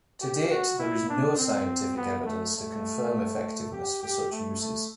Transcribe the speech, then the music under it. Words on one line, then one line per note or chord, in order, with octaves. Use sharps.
To date there is no scientific evidence to confirm effectiveness for such uses.
G4
F#4
E4
D4
C4
B3
A3
A3
G4
G4
A3
A3